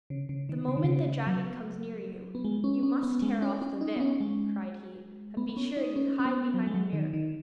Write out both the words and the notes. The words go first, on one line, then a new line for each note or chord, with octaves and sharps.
'The moment the dragon comes near you, you must tear off the veil,' cried he; 'and be sure you hide behind the mirror.
C#3
C#3
D#3
C#3
D#3
C#3
F#3
B3
G#3
C#4
C#4
B3
G#3
C#4
C#4
D#4
B3
C#4
G#3
B3
B3
C#4
D#4
C#4
C#4
B3
F#3
G#3
F#3
D#3
D#3